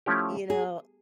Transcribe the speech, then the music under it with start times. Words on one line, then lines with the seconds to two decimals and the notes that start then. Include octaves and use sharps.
you know,
0.06 F3 A3 C#4 E4 G4
0.50 G#4